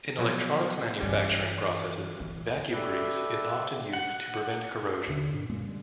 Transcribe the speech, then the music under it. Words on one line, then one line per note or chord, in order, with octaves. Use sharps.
In electronics manufacturing processes, vacuum grease is often used to prevent corrosion.
B2 F3 F#3
G2 E3 G3 C#4
E3
A3 G4 A4 B4 D5
F#5
D#2 D3
G2 B2 D4
F#2 A#2 G#3 A#3
G3 G#3